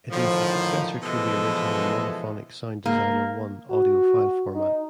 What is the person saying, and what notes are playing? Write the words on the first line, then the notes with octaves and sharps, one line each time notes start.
It is the successor to the original monophonic Sound Designer I audio file format.
A2 D3 D#3 F3
B2 E3 F3 G#3 A4 E5
A#3
F#4
D#4